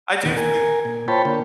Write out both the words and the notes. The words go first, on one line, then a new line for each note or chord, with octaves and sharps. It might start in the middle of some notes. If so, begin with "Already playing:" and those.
I do think
E2 A#2 D3 D#3
A#4 G#5
A#2
F4 C5 C#5 G5 A5 B5
D3 A#3